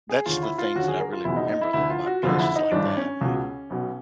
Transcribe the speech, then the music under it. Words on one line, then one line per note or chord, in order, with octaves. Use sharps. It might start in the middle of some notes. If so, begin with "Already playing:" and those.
That's the things that I really remember, though, about places like that and
G#4
D#2 D3 F4
E4
F4
D#2 D3 F#4
G#4
A#4
F4
F#1 E2 B2 E4
D#4
D#4
E4
D2 D3 E4
F4
F#4
F#1 F2 D3 F4
E4
D#4
G#1 G2 E3 D4
C#4
C#2 B2
B1 B2